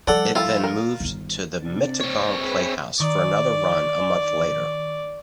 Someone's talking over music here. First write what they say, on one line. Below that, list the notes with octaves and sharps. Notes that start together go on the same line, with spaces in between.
It then moved to the Mittagong Playhouse for another run a month later.
F3 G3 A4 D5 F#5
E4 F4 A4 A#4
A#4
G1 D#3
C3 D4 D5
C4 C#5
G#4 B4 E5
D#3 D5 C#6